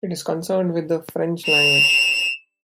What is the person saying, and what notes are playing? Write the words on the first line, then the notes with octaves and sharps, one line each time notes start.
It is concerned with the French language.
E7 F7